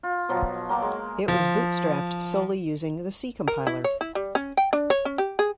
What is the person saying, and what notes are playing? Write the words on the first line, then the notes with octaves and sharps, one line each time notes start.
It was bootstrapped solely using the C compiler.
F4
B2 F3 F#3
F#3 A#3 C6 D6
G#3
F3
A#4
E4
C#5
E4
G3
C#4
G5
D4
C#5
C#4
G4
G#4